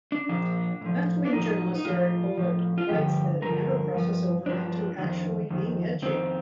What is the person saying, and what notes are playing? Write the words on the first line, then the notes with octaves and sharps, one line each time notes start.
Left-wing journalist Eric Boehlert writes that it never crosses over into actually being edgy.
D4
A#2 F3 D4
A2 F3
D4
A2 F3 D#4
D#4
A2 F3 F4
A2 F3
F4
G2 D3 F3 G4
G2 D3 F3 A#4
G2 F3
G2 F3 D4
F2 D#3
F2 D#3
F2 D#3 C4